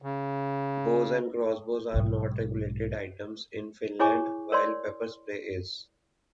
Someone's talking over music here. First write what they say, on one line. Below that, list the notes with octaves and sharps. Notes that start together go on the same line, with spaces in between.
Bows and crossbows are not regulated items in Finland, while pepper spray is.
C#3
B1 G#2
E4 G#4 C#5 G#5 C#6 D6
A#4 C#5 D5 C6